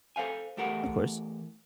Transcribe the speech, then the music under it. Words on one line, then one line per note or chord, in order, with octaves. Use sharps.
Of course.
A4 C5 F5 G#5
E2 A3 G4 A#4 F#5